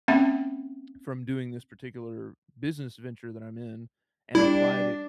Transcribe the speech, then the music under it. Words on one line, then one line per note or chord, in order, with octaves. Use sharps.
from doing this particular business venture that I'm in, and applied it
A#3 C4 C#4 E5 F#5
G3 D4 E4